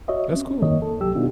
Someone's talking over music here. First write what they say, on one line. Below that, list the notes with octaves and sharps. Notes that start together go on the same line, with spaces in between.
That's cool.
F#4 C#5 D#5 E5
C4 C#4
F#2 D#3 A#3 C#5 D#5
A4
C2 F#3 G4 E6
B2 B3 D4 D#4 F4 F#4